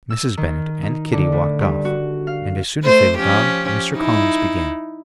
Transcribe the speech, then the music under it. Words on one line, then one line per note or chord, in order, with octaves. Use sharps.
Mrs. Bennet and Kitty walked off, and as soon as they were gone, Mr. Collins began.
E6
D#3
D#4
D3
A2
G2
F#4
F5
A3 C5
F3 C#4 G4
D#4 E4